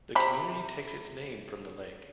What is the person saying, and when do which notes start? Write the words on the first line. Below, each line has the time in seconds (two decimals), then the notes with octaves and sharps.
The community takes its name from the lake.
0.15 C3 B5